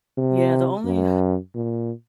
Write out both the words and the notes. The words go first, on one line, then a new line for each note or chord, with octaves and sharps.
Yeah the only
C3
F#2
A#2